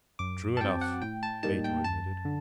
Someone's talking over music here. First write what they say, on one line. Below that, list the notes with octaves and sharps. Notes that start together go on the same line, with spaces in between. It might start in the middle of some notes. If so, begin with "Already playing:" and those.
"True enough," Ato admitted.
F#2 D6
A5
F#3 C4 G5
F#5
A2 G5
A5
G3 A#3 D#4 A5
G5
F#2 A5
D3